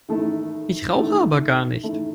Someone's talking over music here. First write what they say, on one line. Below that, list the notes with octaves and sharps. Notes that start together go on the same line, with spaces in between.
Ich rauche aber gar nicht!
D#3 A3 E4
D#3 A3 E4
D#3 A3 E4